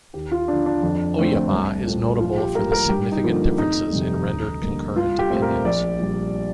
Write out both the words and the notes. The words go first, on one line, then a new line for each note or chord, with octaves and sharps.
"Oyama" is notable for the significant differences in rendered concurrent opinions.
D#2 G4
F4
D3 F3 D4
D4
F2
D3 A3 C4
C2
A#2 A3 C4
A#1 F4
G4
A2 G3 A#3 A#4
A#4
G2 G4
D#4
D3 F3 A#3
F1 D#4
F2 C3 D#3 G3
D2
D3 G3 A#3
C2 F4
G4
A#2 A3 C4
A#4
A#1 D5
A#2 G3